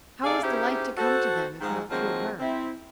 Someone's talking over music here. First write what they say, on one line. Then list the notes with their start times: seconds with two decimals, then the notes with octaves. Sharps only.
How was the light to come to them if not through her?
0.24 C3 G#4 A4 D5 F5
0.43 C#4 D#4 E4 G4 G#4 C5
0.98 F#4 A4 C5
1.61 G#2 D#3 F3 G#3
1.90 D#3 F3 F#3 G#3 A#3 C4
2.40 C4 E4